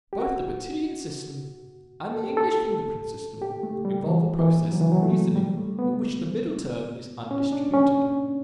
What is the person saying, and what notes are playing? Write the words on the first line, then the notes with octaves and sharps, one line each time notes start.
Both the Bertillon system and the English fingerprint system involve a process of reasoning in which the middle term is undistributed.
G4
F#4
A4
G4
A4
G4
A3
G3
E3
E3
F#3
E3
F#3
A3
G3
A3
B3
C#4
D4
C#4